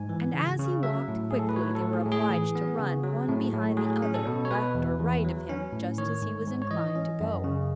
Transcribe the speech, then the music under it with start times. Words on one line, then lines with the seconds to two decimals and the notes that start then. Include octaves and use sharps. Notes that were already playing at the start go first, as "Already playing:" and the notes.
And as he walked quickly, they were obliged to run one behind the other, left or right of him, just as he was inclined to go.
Already playing: G#2 G#5
0.09 E3
0.34 C#3
0.59 C#3
0.83 F#3 E5
1.08 A2
1.31 A2 G#4
1.39 A4
1.49 B4
1.56 F#3 C#5
1.75 A4
1.81 A2
1.93 G#4
2.05 A2
2.12 G#4
2.30 E3
2.55 B3
2.79 C#3
3.03 F#3
3.28 A2
3.53 A2
3.77 F#3 G#4
4.02 C#4
4.14 A4
4.27 B2
4.45 C#5
4.51 B2 B4
4.75 E2
4.99 E2
5.24 F#3
5.49 C#4
5.73 A2
5.98 D#3 C#5
6.22 G#2
6.47 G#2
6.62 C#5
6.71 E3 D#5
6.96 C#4
7.21 F#2
7.44 C#3